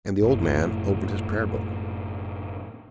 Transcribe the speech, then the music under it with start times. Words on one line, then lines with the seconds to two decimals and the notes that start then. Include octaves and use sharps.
And the old man opened his Prayer-Book.
0.22 F#1 A2